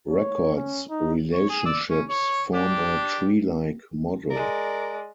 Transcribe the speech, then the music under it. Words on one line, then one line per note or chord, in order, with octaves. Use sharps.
Records' relationships form a treelike model.
C#5
C#4
D#4
C#5
G#4
D5 E6
C#4
C#5
D4 G4
G#3 A#4 D5